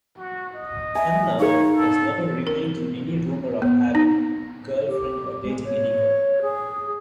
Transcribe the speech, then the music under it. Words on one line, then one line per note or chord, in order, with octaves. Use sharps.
Khanna has never remained in any rumor of having girlfriend or dating any girl.
F#4
D#5
E5 G#5
D#4 A#4 C#5 F5
A4
A#4
B3
D#4
G4
G#3
C#5
G#4